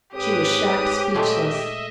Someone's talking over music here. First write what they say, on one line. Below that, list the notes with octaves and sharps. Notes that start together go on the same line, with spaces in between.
She was shocked speechless.
G#2 C4 G4 G#4 B4 C#5 D#6
A#2 G#3 A3 D#5 E5